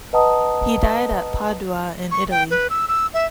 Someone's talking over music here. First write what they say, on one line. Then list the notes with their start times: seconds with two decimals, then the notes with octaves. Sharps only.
He died at Padua in Italy.
0.13 B4 D#5 F#5 A5 A#5 D#6
2.11 C#6
2.31 G5
2.50 B4
2.70 E6
2.88 E6
3.14 E5